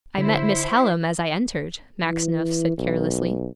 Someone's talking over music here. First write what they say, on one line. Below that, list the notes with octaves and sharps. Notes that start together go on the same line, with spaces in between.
'I met Miss Hallam as I entered,' Maxineff said carelessly.
D3 E4 C5
E3
B1